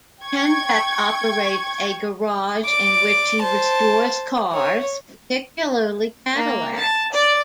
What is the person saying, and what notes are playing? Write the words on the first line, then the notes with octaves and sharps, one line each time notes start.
Tenrec operates a garage in which he restores cars, particularly Cadillacs.
G5 C#6 G#6
D5 D6
C5 A5
C#5
A#3
A5
D5